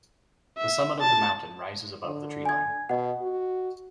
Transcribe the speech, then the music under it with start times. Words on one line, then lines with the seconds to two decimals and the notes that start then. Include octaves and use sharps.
The summit of the mountain rises above the tree line.
0.58 E5
1.00 A5 A6
2.05 D3
2.45 G#5 G#6
2.89 B2 D#5 F#5
3.21 F#4